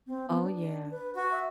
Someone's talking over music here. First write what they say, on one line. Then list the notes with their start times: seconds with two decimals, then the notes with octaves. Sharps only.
Oh, yeah.
0.07 C4
0.29 B3
0.42 D4
0.91 B4
1.16 F#4 C#6
1.32 E5